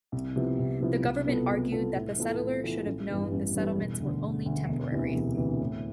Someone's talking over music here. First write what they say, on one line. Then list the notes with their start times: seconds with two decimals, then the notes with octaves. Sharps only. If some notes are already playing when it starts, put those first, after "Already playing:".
The government argued that the settlers should have known the settlements were only temporary.
0.12 C2
0.36 C3 F3 B3 E4
0.59 C2
0.81 C3 F3 B3 E4
1.03 C2
1.27 B2 B3 F4 A4
1.50 C2
1.72 B2 B3 F4 A4
1.95 A2
2.19 E3 B3 F4 A4
2.41 A2
2.64 E3 B3 F4 A4
2.86 A1
3.10 G2 E3 G3 B3
3.32 A1
3.54 G2 E3 G3 B3
3.78 E1
4.00 D2 D3
4.23 E1
4.46 D2 D3
4.69 E1
4.92 D2 C3 E3
5.14 E1
5.37 D2 C3 E3
5.60 A2